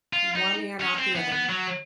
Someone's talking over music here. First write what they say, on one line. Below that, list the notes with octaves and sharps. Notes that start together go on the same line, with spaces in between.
One ear and out the other.
F4
D#4
C#4
C4
B3
B3
F#3